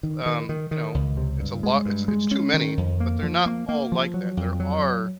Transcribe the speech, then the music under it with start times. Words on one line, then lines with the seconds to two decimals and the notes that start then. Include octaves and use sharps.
y um, you know, it's a lot it's it's too many, but they're not all like that. There are
0.03 D#3
0.26 D#3
0.49 D#3
0.71 D#3
0.94 C#2
1.17 C3
1.40 G2
1.63 G#3
1.86 G2
2.08 G#3
2.31 C#4
2.54 D#3
2.77 F2
3.00 A#3
3.23 F3
3.46 A#3
3.69 A#3
3.92 F3
4.14 F#3
4.37 F2
4.60 F#3